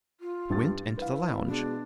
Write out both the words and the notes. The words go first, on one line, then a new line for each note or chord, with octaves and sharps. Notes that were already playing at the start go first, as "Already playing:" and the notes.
I went into the lounge.
F4
G2 A6
E4 B4 F5
B2 G#3 D4